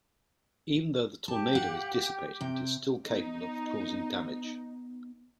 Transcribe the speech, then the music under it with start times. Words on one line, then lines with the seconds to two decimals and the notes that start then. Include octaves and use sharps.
Even though the tornado is dissipating, it is still capable of causing damage.
1.28 G4 A5
1.53 F5 F#5
2.41 C3 G5
3.07 B3 D#4